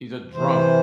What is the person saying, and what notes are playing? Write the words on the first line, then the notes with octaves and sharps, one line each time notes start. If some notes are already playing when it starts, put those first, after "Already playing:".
He's a drunk.
C3 E3 C5